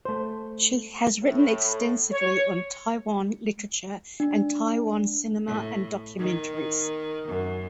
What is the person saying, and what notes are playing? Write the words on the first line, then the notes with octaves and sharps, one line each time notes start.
She has written extensively on Taiwan literature and Taiwan cinema and documentaries.
A3 C5
A2
C#5
D4
A2
D#3
F#2